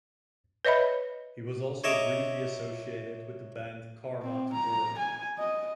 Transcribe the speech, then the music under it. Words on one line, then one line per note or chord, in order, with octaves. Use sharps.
He was also briefly associated with the band Karma to Burn.
B4 C#5 D#5 E5 B5
C#5 D#5 E5 A#5 D6
C4
A#5
G#5
D#5